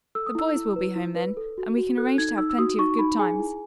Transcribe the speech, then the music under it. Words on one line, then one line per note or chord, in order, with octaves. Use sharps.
The boys will be home, then, and we can arrange to have plenty of good times.
A4 E6
D#6
E4 E6
E4
B4
E4
B4
A4
F#4
F#4
A4 F#6
D#4 G#6
D#4 E6
E6
F#4 D#6
D#4 C#6
D#4 B5
G#4 G#5
E4